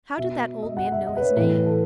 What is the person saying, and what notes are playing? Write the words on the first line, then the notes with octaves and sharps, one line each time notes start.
How did that old man know his name?
B2 E5
D#5
F#5
E5
D#5
B4
C#5
A2 E3 B4
A4